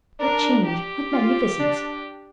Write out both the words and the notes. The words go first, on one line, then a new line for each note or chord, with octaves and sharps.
What change--what magnificence!
D4 A#4
G4
F4
D4